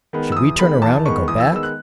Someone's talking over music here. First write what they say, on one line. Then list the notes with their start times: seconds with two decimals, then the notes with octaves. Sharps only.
Should we turn around and go back?
0.13 D#3 G#3 B3
0.32 E6
0.36 E2 D#6
0.59 D#3 G#3 B3 B5
0.82 E2 A5
1.05 D#3 G#3 B3 C#6
1.28 E2 D#6
1.40 E6
1.51 D#3 G#3 B3 E6
1.63 F#6